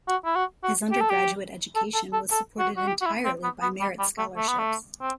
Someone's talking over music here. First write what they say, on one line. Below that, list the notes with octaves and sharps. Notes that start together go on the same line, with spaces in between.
His undergraduate education was supported entirely by merit scholarships.
F#4
E4
F#4
F#4
G4
A4
G4
A4
A4
A4
A4
F#4
F#4
G4
F#4
E4
C4
B3
B3
G3
G3
A3
A3
B3
A3
C4